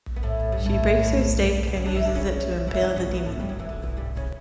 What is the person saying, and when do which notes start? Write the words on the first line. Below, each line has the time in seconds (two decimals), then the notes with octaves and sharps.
She breaks her stake and uses it to impale the demon.
0.16 B3
0.23 A2 A3
0.52 G2 G3
0.66 A2 A3
1.38 G2 G3
1.67 B2 B3
1.76 C#3 C#4
1.86 D3 D4
1.95 E3 E4
2.05 D3 D4
2.14 C#3 C#4
2.67 E3 E4
2.82 D3 D4
2.96 C#3 C#4
3.11 B2 B3
3.25 A2 A3
3.39 G2 G3
3.49 F#2 F#3
3.59 E2 E3
3.69 D3
3.82 E2 E3
3.97 G2 G3
4.17 C#3 C#4